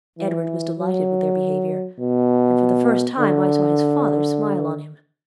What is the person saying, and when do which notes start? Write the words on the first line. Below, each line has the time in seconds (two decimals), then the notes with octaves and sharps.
Edward was delighted with their behavior, and for the first time I saw his father smile on him.
0.19 E3
0.79 F#3
1.99 B2
3.19 D3